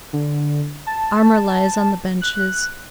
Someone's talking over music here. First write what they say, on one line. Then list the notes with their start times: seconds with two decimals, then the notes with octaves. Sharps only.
Armor lies on the benches.
0.13 D3
0.87 A5
2.21 F#6